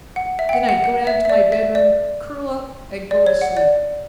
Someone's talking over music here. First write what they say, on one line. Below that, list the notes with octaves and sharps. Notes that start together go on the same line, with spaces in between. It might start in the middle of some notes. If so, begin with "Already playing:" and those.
Then I go down to my bedroom, curl up and go to sleep.
F#5
E5
G5
F#5
F#5
F#5
E5
E5
D5
E5
D5
D5
C#5
F#5
D5